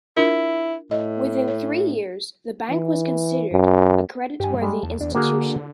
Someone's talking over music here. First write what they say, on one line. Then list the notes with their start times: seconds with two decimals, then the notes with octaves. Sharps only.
Within three years, the Bank was considered a creditworthy institution.
0.17 D4 E4 F4 A#4
0.91 A2 D#5
1.48 C#5
2.70 E3
3.52 F#2
4.40 G2 G4 G#5
4.62 G3 G#3
4.83 E2 A5
5.01 E2 D4
5.15 D3 A#3 F#4 G#4